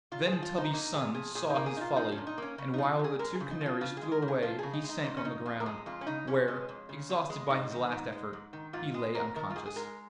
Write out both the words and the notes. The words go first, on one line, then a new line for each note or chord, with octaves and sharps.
Then Tubby's son saw his folly, and while the two canaries flew away he sank on the ground, where, exhausted by his last effort, he lay unconscious.
A#2 F4
G#4
F3
F4
A#2 D#4
A#3 D#4
A#2 G#4
F3 G#4
A#2 G#4
D#4
A#3
G#4
A#2 D#4 F4
F3 D#4
C#4
A#2
D#4
A#3 C#4
C#3 C#4
F3 D#4
C#3 G#4
G#3 A#4
G#4
C#3
D#4
F3 F4
C#3 F4
G#3 G#4
A#4
C#3
G#4
F3 F4
C#3 G#4
D#4
G#3
D#4
F2 D#4
C#4
C#3 D#4
F2 F4
A#4
G#3 G#4
F2 F4
C#4
C#3 D#4
F2 C#4
G#3
F2
C#3
F2
G#3
G#2 D#4
D#3
G#2
G#3
G#2
D#3
G#2 F4
G#3 G#4
G#2 A#4
D#3 A#4
F4
G#2 G#4
G#4
G#3 A#4